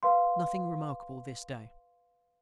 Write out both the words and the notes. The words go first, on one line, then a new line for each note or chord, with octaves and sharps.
Nothing remarkable this day.
B4 F5 C6